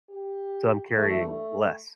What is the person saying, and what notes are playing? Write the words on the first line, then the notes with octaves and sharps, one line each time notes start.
so I'm carrying less,
G4
G2 E3 G3 A3
A3